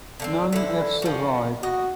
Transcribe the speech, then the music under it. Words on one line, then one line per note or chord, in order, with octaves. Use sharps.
None have survived.
D3 A3 C4
D3 E4
F3 F#4
F#4 D#5